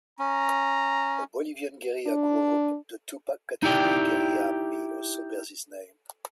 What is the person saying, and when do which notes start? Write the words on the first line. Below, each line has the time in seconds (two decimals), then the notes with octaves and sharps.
A Bolivian guerrilla group, the Tupac Katari Guerrilla Army, also bears his name.
0.19 C#4 A#5
2.06 D4
3.63 D#4 E4 G4 D5 G5